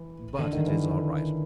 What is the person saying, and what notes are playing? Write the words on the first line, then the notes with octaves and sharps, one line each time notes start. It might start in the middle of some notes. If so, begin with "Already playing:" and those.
But it is all right.
Already playing: E3
D3
D#3
E3